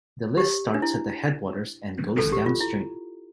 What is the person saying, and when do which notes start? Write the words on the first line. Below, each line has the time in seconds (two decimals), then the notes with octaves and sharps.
The list starts at the headwaters and goes downstream.
0.37 G4
0.74 D4
0.82 E4
2.18 A4
2.32 G4
2.46 F4
2.61 E4